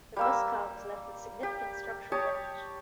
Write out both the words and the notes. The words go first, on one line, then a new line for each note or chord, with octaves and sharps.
The first car was left with significant structural damage.
G3 A#3 E6
G4
G4 C#5 A5 D#6